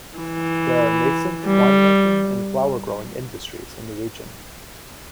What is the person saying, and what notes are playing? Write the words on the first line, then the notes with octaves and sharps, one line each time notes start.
There are nascent wine-making and flower-growing industries in the region.
E3
G3